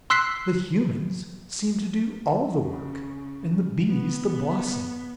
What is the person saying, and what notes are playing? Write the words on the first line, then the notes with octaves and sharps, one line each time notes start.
"The humans seem to do all the work, and the bees the bossing!"
C6 E6 F#6 B6 C7
C#3
B3